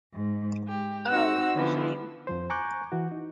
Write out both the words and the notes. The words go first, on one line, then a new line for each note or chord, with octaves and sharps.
Oh, for shame!
G#2
G#3 G4
C4 D#4 F#4 F#5 E6
D3 E3 F3 B3
F2 F3 C5
G#5 A#5 C#6 D6 F#6 G6
E3 F#4
D#4